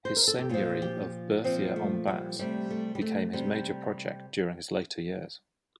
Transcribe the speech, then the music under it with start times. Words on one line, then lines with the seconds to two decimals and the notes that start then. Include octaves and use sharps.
His seigneury of Berthier-en-bas became his major project during his later years.
0.05 C5
0.16 A#4
0.28 A4
0.38 G4
0.49 A#2 F3 F4
0.82 G4
1.44 A#2 F3 C4
1.76 A3
2.07 G3
2.39 C3 G3 A3
2.70 A3
2.95 G3
3.01 A3
3.33 C3 G3